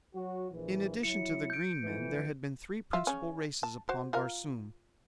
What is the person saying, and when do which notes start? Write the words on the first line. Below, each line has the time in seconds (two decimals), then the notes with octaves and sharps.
In addition to the green men there had been three principal races upon Barsoom.
0.15 F#3 F#4
0.52 A#1 E3
1.03 F#3 E4 C#7
1.50 G6 D7
1.83 F2 A2 E3
2.93 F4 E5
3.07 C#3 C#4
3.63 A5
3.89 F#4 C5
4.13 F4 A#4 F5